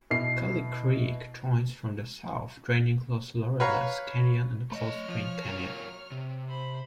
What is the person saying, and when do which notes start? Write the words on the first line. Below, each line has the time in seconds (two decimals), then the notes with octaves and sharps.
Kelly Creek joins from the south, draining Los Laureles Canyon and Cold Spring Canyon.
0.11 B2 E4 C7
3.60 B4 C#5 F5 A#5 C#6
4.72 A3 C#5 D#5 F6
5.08 F3
5.45 F#3 F4 A#4
6.12 C3
6.48 C5 B5